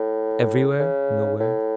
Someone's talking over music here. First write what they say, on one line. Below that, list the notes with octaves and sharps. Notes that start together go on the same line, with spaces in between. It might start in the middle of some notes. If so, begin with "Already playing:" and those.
"Everywhere; nowhere."
Already playing: A2
C#3
A2